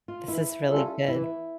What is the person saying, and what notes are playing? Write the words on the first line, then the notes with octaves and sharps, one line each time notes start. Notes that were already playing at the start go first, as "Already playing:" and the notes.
This is really good.
F4
E3 E4
G3 C#4 F4 A4
E3 E4